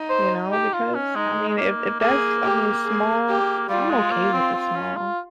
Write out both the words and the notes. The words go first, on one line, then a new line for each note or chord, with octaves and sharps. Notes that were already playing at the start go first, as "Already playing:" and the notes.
you know, because, I mean, if if that's, I mean, small, I'm okay with the small.
Already playing: D#4
C5
G4
F4
C#4
G#3 D#4
G#3
A#3
A#3 G#4
G4
G#4
G4
G3 F4
G#3
A#3
C4
C4
C#4
F4